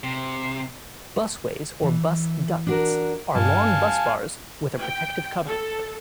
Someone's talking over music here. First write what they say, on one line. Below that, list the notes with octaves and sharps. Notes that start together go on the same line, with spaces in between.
Busways, or bus ducts, are long busbars with a protective cover.
C3
E3
D4 F#4 A#4
G2 F5 G#5 A5
G5
A4